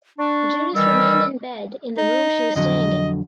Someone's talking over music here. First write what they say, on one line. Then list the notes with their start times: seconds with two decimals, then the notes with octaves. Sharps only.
Judith remained in bed in the room she was staying in.
0.19 D4 C#6
0.75 D#3 E3 G3 E6
1.98 D#4
2.56 F2 D3 F#3 D#5